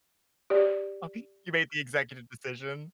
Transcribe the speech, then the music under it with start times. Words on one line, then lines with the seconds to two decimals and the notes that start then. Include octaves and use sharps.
Okay. You made the executive decision?
0.50 G4 D5